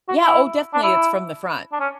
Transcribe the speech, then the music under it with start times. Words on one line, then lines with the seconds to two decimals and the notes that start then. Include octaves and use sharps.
Yeah, oh, definitely, it's from the front.
0.08 F#4
0.23 E4
0.73 D4
0.83 E4
1.73 D4
1.80 C#4